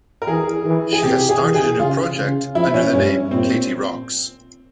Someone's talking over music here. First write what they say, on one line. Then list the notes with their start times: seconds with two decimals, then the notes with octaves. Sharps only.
She has started a new project under the name Katie Rox.
0.22 A#4
0.27 E3 G#4
0.65 E3
0.92 G#4
1.03 C3 G4
1.29 G#4
1.41 E3
1.55 G#4
1.80 C#3 F4
2.18 C#3
2.55 F3 E4
2.74 C#4
2.93 G2 C#4
3.31 A#2 C4